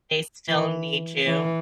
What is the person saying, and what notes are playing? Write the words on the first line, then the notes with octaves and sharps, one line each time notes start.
They still need you.
E3
E3